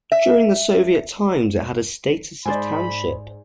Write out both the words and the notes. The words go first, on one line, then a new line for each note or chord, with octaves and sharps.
During the Soviet times it had a status of township.
E5
G#2 G#4 C5 D5 G#5 B5